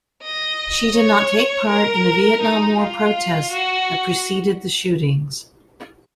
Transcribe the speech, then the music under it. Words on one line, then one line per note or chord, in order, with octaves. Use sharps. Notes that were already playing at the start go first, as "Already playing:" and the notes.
She did not take part in the Vietnam War protests that preceded the shootings.
D#5
C#5
A#4
D#4
F4
F#4